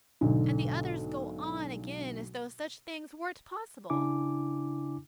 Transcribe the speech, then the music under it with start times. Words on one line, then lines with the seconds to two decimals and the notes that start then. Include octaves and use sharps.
And the others go on again as though such things weren't possible.
0.21 B1 G#2 D3
3.90 C#3 D4 E4 G#5 D6